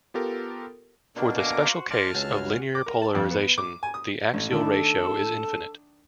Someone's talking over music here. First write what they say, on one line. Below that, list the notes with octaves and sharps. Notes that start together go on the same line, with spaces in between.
For the special case of linear polarization, the axial ratio is infinite.
B3 F4 G4 A4 A#4
B2 A#3 D4
A4 E5 F5 G#5 A#5 D6
F#4 C5
C5 D5 A5 F6
C#2 F#4 G#4 E5
D6
A#4
A5
F2
B3
D6
G#5
D#6
A1
D#3 A3 D4 A4